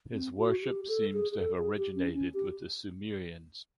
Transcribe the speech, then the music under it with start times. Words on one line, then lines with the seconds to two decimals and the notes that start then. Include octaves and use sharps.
His worship seems to have originated with the Sumerians.
0.12 C4
0.38 F#4
0.63 G4
0.88 A4
1.13 G#4
1.32 G#4
1.39 A4
1.58 G#4
1.77 G4
1.96 C#4
2.14 C#4
2.34 G4